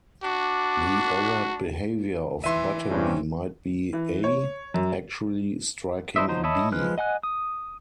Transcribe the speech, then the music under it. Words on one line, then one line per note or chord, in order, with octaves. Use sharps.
The overt behavior of battery might be A actually striking B.
D4 F#4 D6
E3 E5 C6 D#7
G2 C3 C#4
E3
C#5
F#2
D4 E4 C5 D#5 E5
F3 F#3 D#4 C5
C#5 D#5 E5 A5 B5
F3 G#3 B4 F6 F#6
D#5 F#5 G#5 F#6
D#6